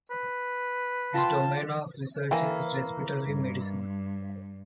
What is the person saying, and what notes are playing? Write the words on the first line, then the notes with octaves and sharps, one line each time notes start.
His domain of research is respiratory medicine.
B4
F4 G5 A5 C6
E3 A#3 G5 G#5
G2